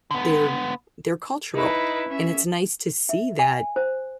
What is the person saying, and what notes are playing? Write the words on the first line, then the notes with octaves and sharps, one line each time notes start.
they're they're cultural, and it's nice to see that
D3 B3
D#4 E4 B4
C#4 E5
E5
G#5
C5